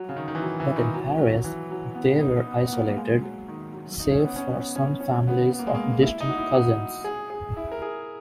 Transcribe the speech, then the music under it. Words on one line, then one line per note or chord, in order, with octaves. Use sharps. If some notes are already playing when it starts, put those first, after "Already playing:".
But in Paris they were isolated, save for some families of distant cousins.
Already playing: F#3
C#3
D#3
D#3
E3
F#3
E3
D#3
F#3
F#3
E3
F#3
B3
D#4
B3
B3
A#3
A#3
G#3
F#3
D#3
F#3
D#4
C#4
B3
C#4
B3
C#4
C#4
B3
B3
A#3
G#3
A#3
E4
D#4
F#4
E4
F#4
G#4
G#4
E4
A#4
G#4